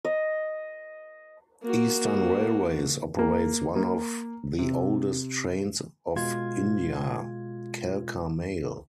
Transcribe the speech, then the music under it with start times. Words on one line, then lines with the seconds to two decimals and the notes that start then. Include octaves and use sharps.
Eastern Railways operates one of the oldest trains of India, Kalka Mail.
0.05 D#5
1.63 A#3 F#4
3.19 A#3
3.76 A#3
4.59 C3
6.16 B2 G#3 F4 G#6